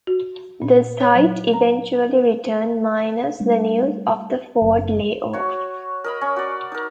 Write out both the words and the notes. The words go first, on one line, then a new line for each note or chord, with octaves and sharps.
The site eventually returned minus the news of the Ford layoffs.
F#4
A#2
C#5
F#3
A#5
G3 A3 D4
F#1 F#2
F#4 C#5
A#4 D#5 B5
C#4
F#4 D5
D#4 A#4